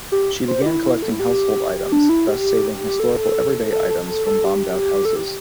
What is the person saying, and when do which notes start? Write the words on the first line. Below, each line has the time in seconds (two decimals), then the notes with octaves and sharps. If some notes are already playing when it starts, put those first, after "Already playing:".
She began collecting household items, thus saving historical every-day items from bombed-out houses.
0.12 G4
0.48 C5
0.62 G4
0.66 E4
0.84 E4
1.02 A4
1.12 E4
1.20 G4
1.92 D4
2.09 E4
2.28 G4
3.00 A4
3.72 A4
3.90 A4
4.08 A4
4.26 A4
4.44 G4
5.05 A4
5.16 G4